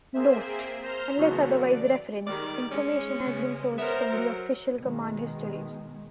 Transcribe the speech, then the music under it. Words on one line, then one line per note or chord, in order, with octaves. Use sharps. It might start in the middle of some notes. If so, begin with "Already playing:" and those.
Note: unless otherwise referenced, information has been sourced from the official command histories.
A#3 C4 G#4 C5 E5
C5 A#5 C6 F6
C#3 E3 F#3 A3 B3 F#4
D5
D#3 G3 G#3 D5
G#3 C#4
C#3 B3
B3 A#4 C5 C#5 E5
F#3
B2 D#3 G#3